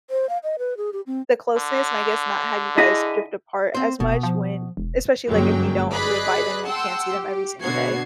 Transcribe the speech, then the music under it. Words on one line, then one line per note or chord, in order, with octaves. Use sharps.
the closeness and I guess not have you guys drift apart as much when especially, like, if you don't live by them, you can't see them every single day.
C5
F5
D#5
B4
G#4
G4
C4
D3
E4 G#4 D#5
C4 C5
F1 B2
F3
E1
G1 F#2 F#3 G#3 A#3 G5
G#4 B4 D5 D#5 B5 F#6
F#5 G5 A5 C6 E6
G4
B2 D3 B3 F#4 G#6 C7